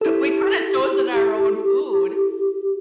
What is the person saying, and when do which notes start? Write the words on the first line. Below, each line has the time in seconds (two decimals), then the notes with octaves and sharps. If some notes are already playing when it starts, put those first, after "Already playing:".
We coulda chosen our own food,
0.01 E4 G4 A4